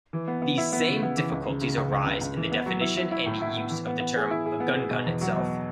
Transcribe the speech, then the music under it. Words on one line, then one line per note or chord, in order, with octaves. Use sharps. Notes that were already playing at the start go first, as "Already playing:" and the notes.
These same difficulties arise in the definition and use of the term Egungun itself.
E3
B3
B3
E4
B3
C#3
B3
E3
C#2
C#3
C#3
C#2
C#2
C#2
C#2
E3
B3
F#3
E4
E4
E4
A2
E4
B3
E3
B3
B3
G#4
E4
G#4
B3
G#4
B2
E2
F#3
B2